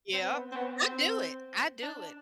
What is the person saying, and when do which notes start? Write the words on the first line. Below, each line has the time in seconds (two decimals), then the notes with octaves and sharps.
yep. I do it. I do it.
0.13 C4
0.31 B3
0.52 C4
0.56 B3
0.82 C4
1.83 D4